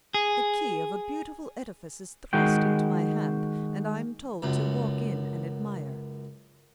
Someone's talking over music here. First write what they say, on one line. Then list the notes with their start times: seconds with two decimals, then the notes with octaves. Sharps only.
The key of a beautiful edifice is thrust into my hand, and I'm told to walk in and admire.
0.14 G#4
2.33 D#3 G#3 F#4 G5
4.42 C#2 F#2